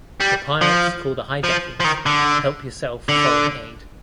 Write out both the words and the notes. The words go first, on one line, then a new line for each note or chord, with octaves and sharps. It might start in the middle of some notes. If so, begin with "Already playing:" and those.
The pirates call the hijackings "help yourself foreign aid".
G3
F3
F3
F3
D#3
D3
D3